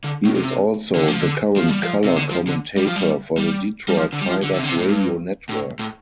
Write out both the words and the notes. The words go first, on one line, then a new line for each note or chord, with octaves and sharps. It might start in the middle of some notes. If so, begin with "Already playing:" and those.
He is also the current color commentator for the Detroit Tigers Radio Network.
D3
A2
C3
D3
F3
D3
F3
G3
F3
C3
D3
F3
D3
G3
F3
G3
G3
G3
F3
D3
G3
F3
D3
D3
C3
D3
C3
A2
G2
A2
A2